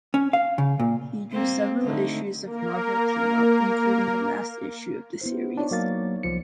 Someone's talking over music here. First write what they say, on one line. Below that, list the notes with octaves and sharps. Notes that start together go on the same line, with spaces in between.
He drew several issues of "Marvel Team-Up" including the last issue of the series.
C#4
F5
C#3
A#2
G3 A#3 C4
D3 A3 D#4
A#3 A#4
B3 E4 C5
D4 D#4 C#5 D5
F#3 A#3 A6
C2 F3 C#7